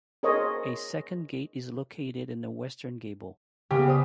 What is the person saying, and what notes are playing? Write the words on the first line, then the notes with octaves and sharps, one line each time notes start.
A second gate is located in the western gable.
G#4 A#4 C5 C#5 D#5
C#3 B3 G4
C5 D#6